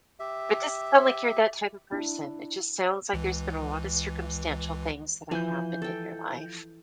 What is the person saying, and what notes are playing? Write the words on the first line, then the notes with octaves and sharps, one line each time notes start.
but doesn't sound like you're that type of person. It just sounds like there's been a lot of circumstantial things that have happened in your life.
G4 E5
D4 E4
C#2 E3
E3 F3 G#5 G6
A4 G5